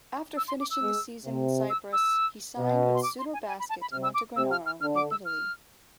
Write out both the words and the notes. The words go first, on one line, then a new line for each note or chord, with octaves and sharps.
After finishing the season in Cyprus he signed with Sutor Basket Montegranaro in Italy.
E6
C6
D6
E6
G#3
C3
E6
E6
B2
C6
D6
C6
G#5
G#5
B5
A5
B5
C3 F6
E6
D6
C3 E6
F6
F6
D3 F6
D6
E6
F6